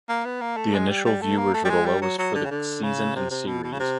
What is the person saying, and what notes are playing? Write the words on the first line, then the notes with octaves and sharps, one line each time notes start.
The initial viewers were the lowest for the season and series.
A#3
B3
A#3
A3
G#3
G3
G3
A3
A#3
A3
G3
G#3
G3
F#3
F#3
D3
C#3
D3
C#3
C3
C3
B2
B2
C#3
C3